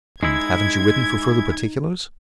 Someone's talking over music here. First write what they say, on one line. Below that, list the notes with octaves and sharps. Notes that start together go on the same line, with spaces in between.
"And haven't you written for further particulars?"
G#3 D#4 E4 G#6